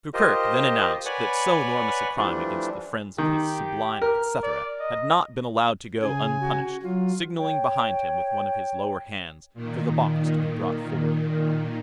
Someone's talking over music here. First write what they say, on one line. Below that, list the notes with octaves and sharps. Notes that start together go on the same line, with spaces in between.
Gurgurk then announced that so enormous a crime against the friends of His Sublime etcetera had not been allowed to go unpunished, signaling behind him with one of his lower hands for the box to be brought forward.
F4 G4 A#4 C5 D#5
B4 C#5 D5 F#5 G#5 B5
E3 F3 G3 A3 D4
D#3 G4
A#4
D5
D#5
C#3 G#4 G#5
F#4
F#3 F4
C#5 G5
A#2 D#3